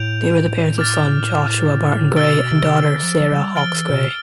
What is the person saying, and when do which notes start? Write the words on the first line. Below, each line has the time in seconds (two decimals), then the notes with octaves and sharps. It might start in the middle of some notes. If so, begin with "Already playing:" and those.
They were the parents of son Joshua Barton Gray and daughter Sarah Hawkes Gray.
Already playing: A2 G6 D7 F7
0.78 D6 F6 A6
2.11 C3
2.16 B2 E6 A6 D7 G7
2.51 C3
2.85 D3
3.03 F3
3.20 F3
3.32 F3
3.37 G3
3.55 F3 F6 A6 D7 G7
3.73 E3
3.90 B2